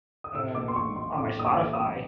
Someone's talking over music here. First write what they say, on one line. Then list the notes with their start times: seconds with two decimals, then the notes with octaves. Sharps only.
um, on my Spotify,
0.24 D#6
0.34 A2 E6
0.55 A#1 D6
0.68 C6
0.76 A#1 C#6
0.96 F#3 C6
1.17 A2 D6
1.38 A#1 D#6
1.45 D6
1.59 A#1 D6
1.73 D#6
1.80 F#3